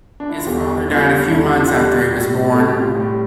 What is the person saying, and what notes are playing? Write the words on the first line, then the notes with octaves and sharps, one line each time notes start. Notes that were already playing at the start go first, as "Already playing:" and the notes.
His father died a few months after he was born.
D4
E4
F4
E2 D3 G3 G4
A4
G4
E2 D3 G3 F4
D4
E2 D3 G3 E4
F4
E2 D3 G3 G4
A2 G3
A2 G3 A4
G4
F4
G4
A2 G3 G4